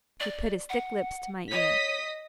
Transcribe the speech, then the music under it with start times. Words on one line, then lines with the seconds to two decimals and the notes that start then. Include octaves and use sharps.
He put his thick lips to my ear.
0.20 D5
0.69 F#5
1.51 C#5 D#5 D#6 B6